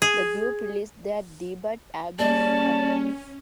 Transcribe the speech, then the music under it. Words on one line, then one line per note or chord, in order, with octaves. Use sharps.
The group released their debut album Huh!?
G#4
G3 A#3 C#4 G#4 D5 A5